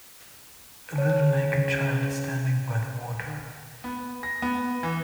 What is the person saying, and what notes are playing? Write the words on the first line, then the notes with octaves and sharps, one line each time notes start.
A little naked child is standing by the water.
C#3 C#5 A5
B3
A#6
B3
E3